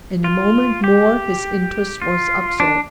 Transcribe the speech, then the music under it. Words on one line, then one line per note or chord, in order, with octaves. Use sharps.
In a moment more his interest was absorbed.
F4
G4
F4
D4